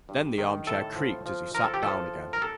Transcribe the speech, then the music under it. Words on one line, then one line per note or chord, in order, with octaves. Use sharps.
Then the armchair creaked as he sat down again.
G2
D#3
A2 A4
F3
F3
F3 A#4
A4
G4
F3 A4
A2
A#4
A4